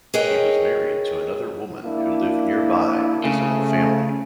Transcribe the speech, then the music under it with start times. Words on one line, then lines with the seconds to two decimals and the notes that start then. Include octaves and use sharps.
He was married to another woman who lived nearby with his own family.
0.14 G#4 A#4 B4 C#5 D#5 G5
1.84 A#3 D4 E4
3.24 C#3 A3